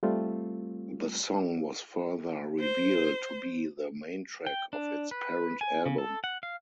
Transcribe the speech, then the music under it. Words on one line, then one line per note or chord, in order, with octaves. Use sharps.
The song was further revealed to be the "main track" of its parent album.
G3 A3 C4 F4
C5
G5
D4
B4
G#5
C#3
A4
F#5
F5